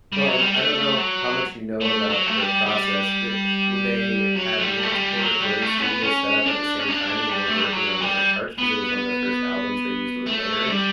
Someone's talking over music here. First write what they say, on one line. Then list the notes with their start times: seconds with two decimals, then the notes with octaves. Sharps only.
Well, and I don't know how much you know about their process. D w they had multiple recording studios set up at the same time and were working on different parts- 'cause it was one of the first albums they used with layering.
0.12 G3
0.26 F#3
0.40 G3
0.54 A3
0.97 F#3
1.81 A3
2.10 F#3
2.27 A3
2.38 G3
2.66 G3
4.35 F#3
4.58 A3
4.63 G3
4.83 A3
4.92 G3
5.19 F#3
5.40 G3
5.62 A3
5.78 C#4
5.83 B3
6.03 C#4
6.46 D4
6.80 C#4
6.88 D4
7.30 G3
7.48 A3
7.61 G3
7.72 F#3
8.00 G3
8.58 B3
10.26 A3
10.69 G3